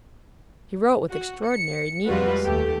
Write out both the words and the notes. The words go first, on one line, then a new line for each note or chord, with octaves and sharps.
He wrote with extraordinary neatness.
F#4
C#7
F2 G3 G#3 F4 F#4 B4
D#2 A3 G4